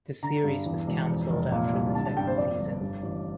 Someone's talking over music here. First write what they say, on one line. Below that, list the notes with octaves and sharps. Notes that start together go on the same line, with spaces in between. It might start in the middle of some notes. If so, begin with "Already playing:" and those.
The series was canceled after the second season.
D3 A#5
G2
E2
E1
F2
F1
A#2
C2
D3 A5
A5
G2 G5
C5
F2 D5
G1
G2
A1